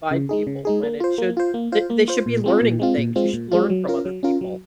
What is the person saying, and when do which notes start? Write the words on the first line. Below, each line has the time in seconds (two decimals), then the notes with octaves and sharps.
divide people when it should they they should be learning things. You should learn from other people,
0.11 C#3
0.29 G#3 D#4 G#4
0.47 C#3
0.65 G#3 D#4 G#4
0.83 A#3
1.00 F4 C5
1.18 A#3
1.37 F4 C5
1.54 A#3
1.72 F4 C5
1.90 A#3
2.08 F4 C5
2.26 A#2
2.44 G#3 C4 F4
2.62 A#2
2.79 G#3 C4 F4
2.97 A#2
3.16 G#3 C4 F4
3.33 A#2
3.52 G#3 C4 F4
3.70 F#3
3.87 C#4 F4 A#4
4.05 F#3
4.23 C#4 F4 A#4
4.41 F#3